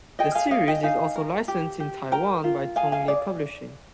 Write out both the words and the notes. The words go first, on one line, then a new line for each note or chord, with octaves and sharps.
The series is also licensed in Taiwan by Tong Li Publishing.
G#4 D#5 G5
F5 G#5
G#4 D5 F5
D#5 G5
D#4 F5 G#5
A#4
G4
G4
A#4 G5 A#5
F4
G#4 F5 G#5
F5 G#5
G#4 D5